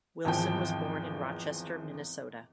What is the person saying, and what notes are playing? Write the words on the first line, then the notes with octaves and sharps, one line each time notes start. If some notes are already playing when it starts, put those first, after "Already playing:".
Wilson was born in Rochester, Minnesota.
G#1 E2 F3 G5 D7